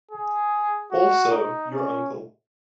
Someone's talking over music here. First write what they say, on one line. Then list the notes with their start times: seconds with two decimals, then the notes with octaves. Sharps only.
Also your uncle.
0.11 G#4
0.91 F#4
1.31 D#4
1.71 C#4